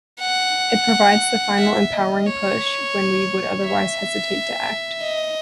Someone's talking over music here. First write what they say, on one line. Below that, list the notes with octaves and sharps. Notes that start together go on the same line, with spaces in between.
It provides the final empowering push when we would otherwise hesitate to act.
F#5
E5
D#5
C#5
E5
D#5